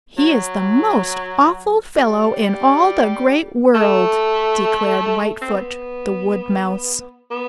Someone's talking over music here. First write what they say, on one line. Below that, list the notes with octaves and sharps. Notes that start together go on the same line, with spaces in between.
"He is the most awful fellow in all the Great World," declared Whitefoot the Wood Mouse.
F#3
G3
A3
C4
B3
B3